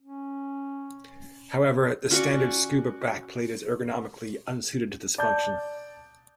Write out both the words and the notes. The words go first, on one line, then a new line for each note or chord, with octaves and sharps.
However, the standard scuba backplate is ergonomically unsuited to this function.
C#4
C#4 F#4 D5 C#6
D5 A5 G6